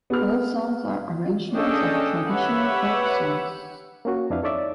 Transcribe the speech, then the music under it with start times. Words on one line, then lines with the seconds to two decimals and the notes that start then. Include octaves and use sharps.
All songs are arrangements of traditional folk songs.
0.10 B3 G#4 F6
1.53 C#4 D4 G#4 A4 D#5 G5
2.27 G4 B4 C#5 E5 F#5
4.05 A#3 C#4 F#4
4.30 F2 D4 E4 B4 F5
4.43 D#4 A4 C#5 D5 E5 D6